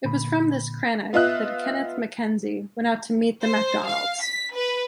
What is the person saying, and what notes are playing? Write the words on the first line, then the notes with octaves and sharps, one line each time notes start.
It was from this crannog that Kenneth MacKenzie went out to meet the MacDonalds.
A#2 D3 B5
B3 F4 D#5 E5 F#6
C5
F5
B6
B4